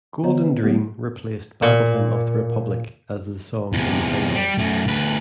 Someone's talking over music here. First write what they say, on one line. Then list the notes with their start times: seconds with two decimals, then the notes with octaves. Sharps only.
"Golden Dream" replaced "Battle Hymn of the Republic" as the song in the finale.
0.23 D3 B3 C5 C#5 D#5 A#5
0.41 B4
0.63 F#3 G#3 A#3 B3 G4
1.62 A#2
3.73 E2 C3
4.35 G3
4.58 F#2 A3
4.87 D2 B4